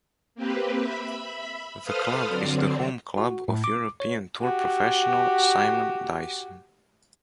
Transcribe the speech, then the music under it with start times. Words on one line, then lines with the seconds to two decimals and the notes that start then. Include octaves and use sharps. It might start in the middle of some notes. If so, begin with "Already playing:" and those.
The club is the 'home club' of European Tour professional Simon Dyson.
0.35 A#3 C4 G4 B4
0.80 E5 B5
1.82 A4 B4 C5 F5 D#6 F6
2.28 D3 F#3 C4 D4
3.18 F#4
3.48 A2
3.64 D6
4.00 C#5
4.41 F#4 G4